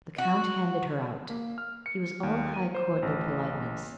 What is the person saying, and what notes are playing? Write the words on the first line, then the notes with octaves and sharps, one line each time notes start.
The Count handed her out; he was all high courtly politeness.
F#4
A#3
F6
C#7
D#2
D#7
C5
A1